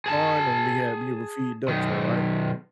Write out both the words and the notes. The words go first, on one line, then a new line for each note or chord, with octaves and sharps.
pond, and we had we would feed ducks there, right,
G#4 A5
B1 D#3